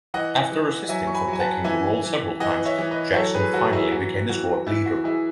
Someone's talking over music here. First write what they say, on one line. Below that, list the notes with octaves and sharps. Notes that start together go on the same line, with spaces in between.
After resisting from taking the role several times, Jackson finally became the squad leader.
E3 D#5 F#5
E3
F#3 E5 G#5
C#6
G#5 B5
F#3
G#5
F#5 A5
E3 E5 G#5
E3
E3 D#5 F#5
C#5 E5
E3
B4 D#5
F#3 A4 C#5
G#4 B4
F#3 F#4 A4
E4 G#4
E3 F#4
E3 F#4
E3 E4
F#4
E3 E4 G#4